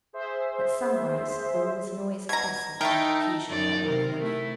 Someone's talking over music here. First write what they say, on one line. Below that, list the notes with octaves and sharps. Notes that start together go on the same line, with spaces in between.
At sunrise all was noise, bustle and confusion at Luckenough.
G#4 C5 E5
B2 A#5 G#6
A3 D#4 E4 A#4 G5
F#2 D#4 D5
C3 A#4
A3 E4